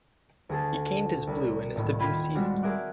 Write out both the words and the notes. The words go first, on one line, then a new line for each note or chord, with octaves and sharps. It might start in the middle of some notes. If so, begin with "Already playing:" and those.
He gained his blue in his debut season.
D2 G#4 A4
C2
D#1 A2 D#3
F4 G5 B5 G#6 D#7
G3 G#3 C4 F#4
G#4 A#4 E5 D6 F#6